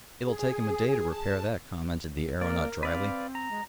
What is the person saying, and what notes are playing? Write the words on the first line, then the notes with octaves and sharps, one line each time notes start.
"It'll take him a day to repair that," commented the aeronaut dryly.
G#4
A5
A#3 A#4 D5
C4 B4 D5 F5
A#5
G#3